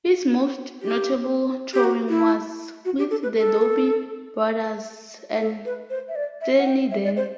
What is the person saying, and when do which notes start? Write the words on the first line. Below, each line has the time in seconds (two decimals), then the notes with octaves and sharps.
His most notable touring was with the Doobie Brothers and Steely Dan.
0.82 G4
1.74 G4
1.84 F#4
2.09 E4
2.85 F#4
2.99 G4
3.11 A4
3.23 B4
3.36 A4
5.40 A4
5.65 B4
5.90 C5
6.08 E5
6.16 D5
6.41 E5
6.59 F#5
6.67 G5
6.91 E5
7.04 D5
7.17 C5